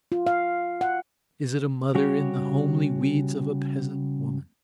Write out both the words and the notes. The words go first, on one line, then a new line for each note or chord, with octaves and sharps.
Is it a mother in the homely weeds of a peasant woman?
F4
F5
F#5
C#3 G3 F#4 G4 C#5